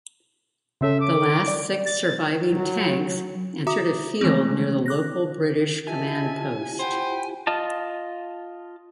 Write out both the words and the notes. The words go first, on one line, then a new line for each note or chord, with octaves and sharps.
The last six surviving tanks entered a field near the local British command post.
C#3 C#4 A4 E5
D6
D5
A6
F#3
F#4 E5 A#5 D6 D#6
D#3 E3 G#3 A3 C4
D6 F#6 A#6
E4 F4 G4 D#5 E5 G#5 A5
C5 F#5 G5 B5
F4 D#5 A5